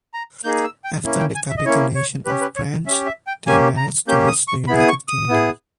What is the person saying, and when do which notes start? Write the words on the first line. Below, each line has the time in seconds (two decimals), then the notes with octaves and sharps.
After the capitulation of France, they managed to reach the United Kingdom.
0.14 A#5
0.44 A#3 D#4 G#4 G6
0.64 E6
0.84 G5
1.04 A#3 C#4 E4
1.20 G5
1.35 G#5
1.50 E5
1.57 D#5
1.65 A#3 C#4 E4 C#5
1.95 C#5
2.26 C#4 G4 B4
2.41 B4
2.56 C#5
2.86 C#4 E5
2.90 G4
3.06 E5
3.27 G5
3.47 A#3 C#4 G4 G#5
3.77 A#5
4.07 A#3 C#4 G4 G6
4.28 D#6
4.48 C#6
4.68 B3 E4 G#4 B5
4.80 D#6
4.88 C#6
5.08 D#6
5.29 B3 E4 G#4